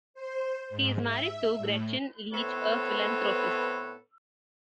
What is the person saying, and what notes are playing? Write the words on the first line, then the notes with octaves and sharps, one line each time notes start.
He is married to Gretchen Leach, a philanthropist.
C5
G#2
E5
A2
A2 B3 C4 A4 B4 C#5